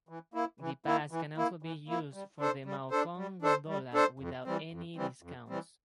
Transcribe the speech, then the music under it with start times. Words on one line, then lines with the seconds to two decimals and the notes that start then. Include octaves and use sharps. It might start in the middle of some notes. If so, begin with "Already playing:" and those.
The pass can also be used for the Maokong Gondola without any discounts.
0.09 E3
0.34 A#3 E4
0.60 E3
0.86 A#3 E4
1.11 E3
1.37 A#3 E4
1.63 E3
1.88 A#3 E4
2.14 G3
2.40 D4 A4 C5
2.65 G3
2.91 D4 A4 C5
3.17 G3
3.42 D4 A4 C5
3.68 G3
3.94 D4 A4 C5
4.20 F2
4.45 E3 G3 C4
4.72 F2
4.96 E3 G3 C4
5.22 F2
5.48 E3 G3 C4